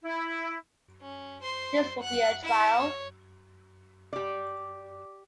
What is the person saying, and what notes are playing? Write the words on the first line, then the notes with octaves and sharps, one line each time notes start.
This would be a trial.
E4
C#4
C5 C6
F#5 F#6
E4 E7
C#5
G4 D5